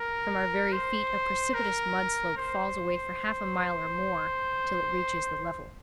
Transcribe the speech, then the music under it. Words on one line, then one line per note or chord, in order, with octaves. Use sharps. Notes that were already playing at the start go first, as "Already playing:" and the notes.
From our very feet a precipitous mud slope falls away for half a mile or more till it reaches the level.
Already playing: A#4
C5
A#4
C5